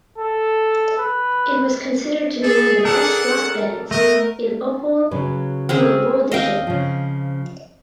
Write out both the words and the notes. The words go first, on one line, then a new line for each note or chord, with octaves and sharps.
It was considered to be one of the best rock bands in Opole Voivodeship.
A4
B4
G#4 A4
A4 A#4 D5 F#5
A3 B3 A#4 D#5
C#3 F#3 B4
C4 C#4 G#4
D#2 D#5 F5 G5
C#3 F3